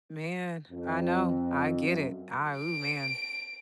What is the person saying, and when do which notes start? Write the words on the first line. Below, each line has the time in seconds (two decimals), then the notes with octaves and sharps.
Man, I know. I get it. I ooh, man.
0.70 F2
1.81 F#2
2.57 D7